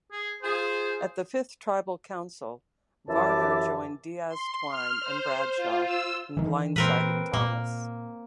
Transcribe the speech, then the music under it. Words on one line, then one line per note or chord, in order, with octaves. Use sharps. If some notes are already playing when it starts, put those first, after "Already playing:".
At the fifth Tribal Council, Varner joined Diaz-Twine and Bradshaw in blindsiding Thomas.
G#4
F4 G#4 C5
F#2 E3 G4 E5 A5 D6
C6
F6
C5
F4
E6
D#3 E3
A#2 E3 C4 A#4 B4
A#2 A#3